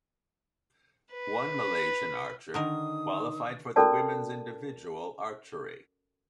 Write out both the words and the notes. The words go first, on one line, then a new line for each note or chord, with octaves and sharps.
One Malaysian archer qualified for the women's individual archery.
B4
D3 D#3 D#4 A#4 D#6
C#4 F#4 A4 A#4 D5 A5